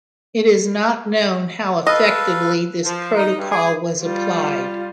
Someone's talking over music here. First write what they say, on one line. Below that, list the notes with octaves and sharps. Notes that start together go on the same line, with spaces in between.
It is not known how effectively this protocol was applied.
A4 B4 D#5 F5
F3
D#4
G2
G#4
G3 F4